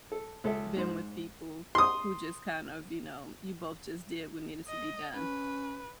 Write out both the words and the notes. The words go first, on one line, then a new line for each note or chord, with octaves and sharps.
been with people who just kind of, you know, you both just did what needed to be done?
A4
C#2 A4 E5
G#2 C5
C6 D#6
D#5
C#4 B4